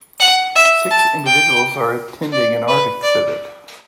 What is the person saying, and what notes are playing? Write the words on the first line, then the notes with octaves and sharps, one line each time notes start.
Six individuals are attending an art exhibit.
F#5
E5
A5
G5
D5
B4
D5